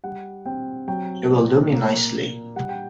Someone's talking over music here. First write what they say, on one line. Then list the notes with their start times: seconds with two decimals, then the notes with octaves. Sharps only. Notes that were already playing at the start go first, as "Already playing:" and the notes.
It will do me nicely.
0.04 G3 F#5
0.45 C4 G5
0.88 F#3 G5
1.30 A#2
1.72 A#3
2.14 A#3
2.56 G3 F#5
2.69 G5